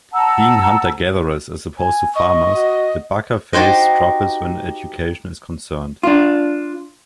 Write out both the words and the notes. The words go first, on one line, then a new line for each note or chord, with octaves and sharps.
Being hunter-gatherers as opposed to farmers, the Baka face troubles when education is concerned.
F#5 A5 A#5 E6
G#5
D#5 C#6
F#4
D#4 F#4 G4 C5 D#5
D4 F4